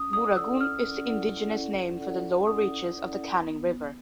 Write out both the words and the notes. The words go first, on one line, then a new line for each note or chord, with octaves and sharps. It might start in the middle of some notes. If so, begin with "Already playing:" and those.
Booragoon is the indigenous name for the lower reaches of the Canning River.
Already playing: C#4 D#6
E4 A4 D5 F#5 D#6
E6
C#4 F6
E4 A4 D5 F#5
C#4
E4 A4 D5 F#5
C#4 D#6
E4 A4 D5 F#5
B3